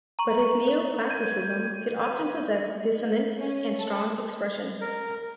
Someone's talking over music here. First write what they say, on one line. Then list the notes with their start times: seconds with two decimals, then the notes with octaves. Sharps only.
But his neoclassicism could often possess dissonant and strong expression.
0.19 A#5 C#6
1.09 G6 G#6 D#7
3.39 C#4
3.78 A4
4.81 A#4